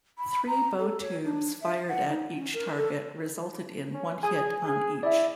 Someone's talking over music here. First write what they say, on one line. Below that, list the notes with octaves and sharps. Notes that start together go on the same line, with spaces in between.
Three bow tubes fired at each target resulted in one hit on each.
B5
A#5
A4
C#5
D4
E5
F#5
D#4
C#4
A#4
A4
C#4
G#4 G#5 D#6
G#4
E4 D5 E5